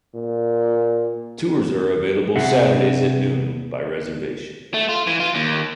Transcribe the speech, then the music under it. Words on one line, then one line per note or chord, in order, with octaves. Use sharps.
Tours are available Saturdays at noon by reservation.
A#2
C3 G#4 E5 F#5
A3
F4
E3
F4
D#2